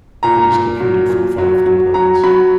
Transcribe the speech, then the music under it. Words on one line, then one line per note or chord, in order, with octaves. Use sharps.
It is computed from five components.
A#2 A#5
A#2
F#3
A#2
F#3
F#3
F#3 A#5
F#3 B5